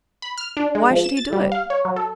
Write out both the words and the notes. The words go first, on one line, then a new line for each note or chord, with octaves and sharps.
Why should he do it?
B5
F6
D4
G#3
F3
E7
A6
G3
F5
C#5
F#3
A4